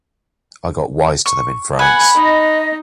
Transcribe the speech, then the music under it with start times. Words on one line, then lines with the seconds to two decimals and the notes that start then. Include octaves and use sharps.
I got wise to them in France.
1.26 C#6
1.79 B4 F#5 G#5
2.15 D#4 D#5